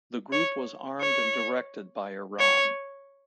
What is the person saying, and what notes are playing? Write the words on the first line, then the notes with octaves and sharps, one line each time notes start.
The group was armed and directed by Iran.
C#5
C#5
C#5